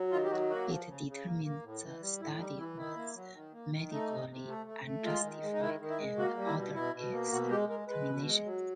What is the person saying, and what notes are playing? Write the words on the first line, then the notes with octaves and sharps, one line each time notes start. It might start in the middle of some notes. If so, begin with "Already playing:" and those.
It determined the study was medically unjustified and ordered its termination.
Already playing: F#3
D#3 F4
G4
F#3 F#4
A#3 F#4
F3
C#3
C#3
A#3
A#3
A2
E3
G3
A2 E4
G3 D#4
E3 E4
D#3 E4
A#3
F#3
D#3
A#3
D#3
A3 D#4
C3
C3
A3
A3
A3
G#3 F4
D#3
G#3
D#4
D#3 E4
D#3
E4
G#3
A#3 F#4
G3
E4
B2
B2 E4
B2
A#3
B2 F#4
G#3 G4
G#3 A#4
G#3 B4
B2
G#3
F#3